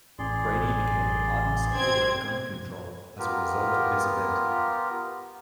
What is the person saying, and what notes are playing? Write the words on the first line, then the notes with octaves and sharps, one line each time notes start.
Brady became an ardent supporter of gun control as a result of this event.
A1 G#4 D5 C6
C4 G#6
B3 F4 G4 A#4